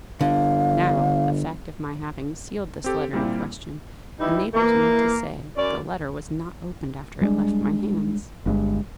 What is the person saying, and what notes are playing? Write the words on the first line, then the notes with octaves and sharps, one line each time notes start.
But now, the fact of my having sealed this letter in question, enables me to say that the letter was not opened after it left my hands.
G1 D3 F5
C4 G4 A4
A#2 G3 A#3 C4 E4 G4
E3 G3 D#4 E4
E3 A#3
F#2 C#4 D5
G3 G#3 C4 D4
G1 G2 D3 G#3